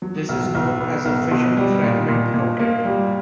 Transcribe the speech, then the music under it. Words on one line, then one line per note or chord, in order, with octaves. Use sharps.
This is known as a fission-fragment rocket.
F#3
B1
B1
B3
B1
B2
G3
A#2
A#2
A#2
A#3
G3